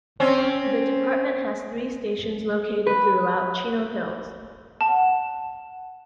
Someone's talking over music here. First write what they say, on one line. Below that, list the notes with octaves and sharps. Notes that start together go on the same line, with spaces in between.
The department has three stations located throughout Chino Hills.
C4 C#4
B4
F#5 A5